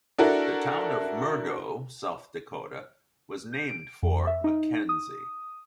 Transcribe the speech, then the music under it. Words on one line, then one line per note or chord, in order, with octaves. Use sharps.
The town of Murdo, South Dakota was named for Mackenzie.
D4 E4 F#4 A4 A#4
G6
D7
F2
E5
D#4
D#6